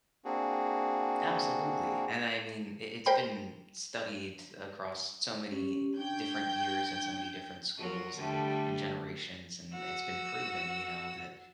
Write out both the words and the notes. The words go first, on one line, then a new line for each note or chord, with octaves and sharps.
Absolutely. And, I mean, i it's been studied across so many different years and so many different schools and and generations, and it's been proven, you know, that
A#3 C4 D4 F#4 G#4
A#4 C5 G5 B5
C#4 G4 C#5
D4 G5 C#6 G6 G#6
F#3 F4 A#4
D3 G3 A3
F#4 E6